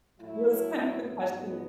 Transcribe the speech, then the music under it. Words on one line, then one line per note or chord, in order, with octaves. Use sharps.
That's kind of the question
A2 F#3 A3 E4
G#2 F#3 B3